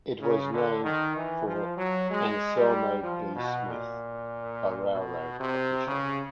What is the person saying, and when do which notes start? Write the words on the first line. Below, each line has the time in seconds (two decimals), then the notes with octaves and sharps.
It was named for Anselmo B. Smith, a railroad official.
0.21 C#3
0.52 D3
0.83 D#3
1.15 E3
1.46 F3
1.77 F#3
2.09 G#3
2.57 G3
3.03 F3
3.34 B2
3.65 A#2
4.91 B2
5.39 C3
5.86 C#3